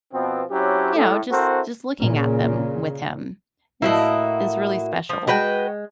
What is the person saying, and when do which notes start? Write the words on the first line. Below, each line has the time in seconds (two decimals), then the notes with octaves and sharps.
you know, just just looking at them with him is is really special.
0.13 B2 F3 B3 C4
0.50 F#3 C4 C#4 E4 G4
0.96 A2
1.31 C4 E4 F#4 A4 A#4 C5
2.00 A#2 C#3
3.82 A2 A#3 E4 F#4 D#5
5.09 F3
5.27 G#3 F#4 B4 G5